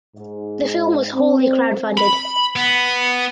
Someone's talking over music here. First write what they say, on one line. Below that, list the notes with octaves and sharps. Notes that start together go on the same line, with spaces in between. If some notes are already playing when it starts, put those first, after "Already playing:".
The film was wholly crowdfunded.
G#2
C4
B5
B3